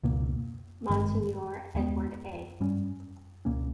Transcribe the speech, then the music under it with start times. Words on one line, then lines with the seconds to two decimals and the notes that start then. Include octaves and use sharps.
Monsignor Edward A.
0.03 C#2 B2 A#3
0.89 G#1 G2 D#3 G#3
1.74 D#2 D#3 G#3 B3
2.60 G2 G3 C#4
3.45 C#2 B2 A#3 C#4